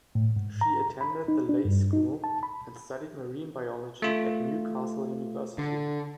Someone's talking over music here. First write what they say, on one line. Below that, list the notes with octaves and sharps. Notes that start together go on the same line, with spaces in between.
She attended The Leys School, and studied Marine Biology at Newcastle University.
A2
G#2
A#5
B5
D#4
D4
G2
D#4
A5
B5
A3 F4
D3